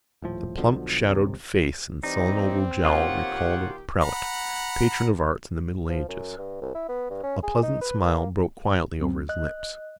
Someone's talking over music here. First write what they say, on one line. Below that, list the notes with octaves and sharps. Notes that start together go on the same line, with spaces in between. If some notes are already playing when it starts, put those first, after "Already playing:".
The plump shadowed face and sullen oval jowl recalled a prelate, patron of arts in the middle ages. A pleasant smile broke quietly over his lips.
D#1 A2 F3
B1 B2 D3 F3
D#1 C#2 C3
E3 G3 C4 D#4 D5
A#2 D#3 F4 G4 C#5 F#5
F#5 A#5 B5
F3
F#2
G2
C2
E4
B3
G2
C#4
G#4
D#4
B4
A#3
F#2 F#3 C4
D#5 F#6